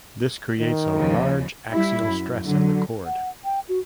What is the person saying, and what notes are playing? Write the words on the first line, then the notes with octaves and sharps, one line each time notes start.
This creates a large axial stress in the cord.
D#3
D#2 C#3 F3
G3 E4
F#2
D3 F#3
F#5
G5
F#4